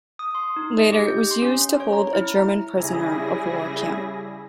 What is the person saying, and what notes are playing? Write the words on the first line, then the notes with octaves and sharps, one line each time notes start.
Later it was used to hold a German prisoner-of-war camp.
D#6
C6
D#4
D#5
G4
G6
C6
C#4
C#5
A#5
E4
A#5
C#3 G3 E4 G#4 G#5 A#6